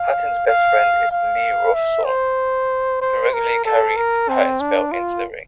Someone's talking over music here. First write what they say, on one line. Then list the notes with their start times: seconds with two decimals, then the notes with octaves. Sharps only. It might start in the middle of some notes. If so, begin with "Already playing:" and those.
Hatton's best friend is Lee Rawsthorne, who regularly carried Hatton's belt into the ring.
Already playing: F5
0.47 F5
1.11 F5
1.74 E5
2.06 C5
3.01 C5
3.33 A#4
3.65 A4
3.97 A#4
4.29 C4
4.61 D4
4.92 F4